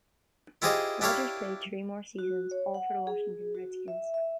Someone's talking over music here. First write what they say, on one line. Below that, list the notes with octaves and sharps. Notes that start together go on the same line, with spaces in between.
Rogers played three more seasons, all for the Washington Redskins.
E4 F4 G4 G#4 C5 D#5
D4 E4 G4 C#5 F5 B5
F#4
C#5
F#5
G#4
F#4
E5
E5